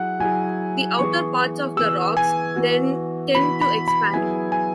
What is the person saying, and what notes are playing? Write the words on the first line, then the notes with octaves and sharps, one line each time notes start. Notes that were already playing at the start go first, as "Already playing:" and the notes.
The outer parts of the rocks then tend to expand.
Already playing: F#3 E4 G#4 F#5
F#3 E4 G#4 G#5
E3 B3 G#4 C#6
E3 B3 G#4 E6
G#5
E3 B3 F#4
E3 B3 F#4 B5
B5
B5
F#3 B3 E4 G#4 G#5
G#5